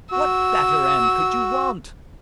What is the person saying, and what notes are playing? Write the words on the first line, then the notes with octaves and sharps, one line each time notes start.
What better end could you want?
F#4 E6